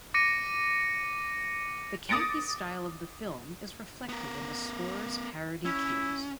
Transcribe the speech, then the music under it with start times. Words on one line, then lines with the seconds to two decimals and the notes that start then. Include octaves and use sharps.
The campy style of the film is reflected in the score's parody cues.
0.14 D6 A#6 C#7 D#7
2.09 D6 D#6 A6 A#6 C#7 D7
4.09 B3 A#4
5.65 C#4 E4